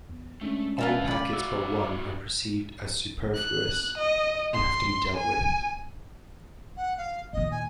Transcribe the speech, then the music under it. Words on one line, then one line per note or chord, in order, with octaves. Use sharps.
All packets but one are perceived as superfluous, and have to be dealt with.
E2
G#3 A3 C#4 D4
F4 B4 E5 F5 A5
F4 D5 B5
E4 F#4 E6
F#6
D#5
C6
G#5
F#5
F5
D#2 A#2 D#5
G#5